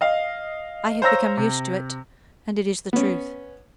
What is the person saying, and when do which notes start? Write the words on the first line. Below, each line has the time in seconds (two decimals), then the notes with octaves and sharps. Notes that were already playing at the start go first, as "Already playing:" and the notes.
I have become used to it,--and, it is the truth.
0.01 D#5 F5
1.02 C5 C#5 F5 A#5 E6 A#6
1.37 C3
2.93 B3 C#4